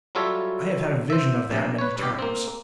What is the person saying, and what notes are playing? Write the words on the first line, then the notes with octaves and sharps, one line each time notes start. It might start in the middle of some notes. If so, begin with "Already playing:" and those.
I have had a vision of that many times.
F#3 G3 F4 A4 C#5 E5
C5 E5
A#1 G2 C3
B4 C#5
G2 G4
A#3 C4